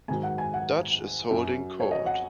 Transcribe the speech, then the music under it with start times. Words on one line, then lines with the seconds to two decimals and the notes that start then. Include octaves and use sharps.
Dutch is holding court.
0.08 G#2 D#3 F#3 G#5
0.23 F#5
0.38 G#5
0.54 F#5
1.31 F#2 F#3
1.80 C#5
1.91 D#5
2.06 F#5